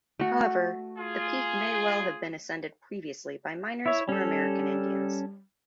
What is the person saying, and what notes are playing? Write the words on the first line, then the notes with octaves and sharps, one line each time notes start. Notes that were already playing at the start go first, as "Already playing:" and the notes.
However, the peak may well have been ascended previously by miners or American Indians.
A3 F#4
F4 G#4
E4 C#5 E5
G3 C#4 A4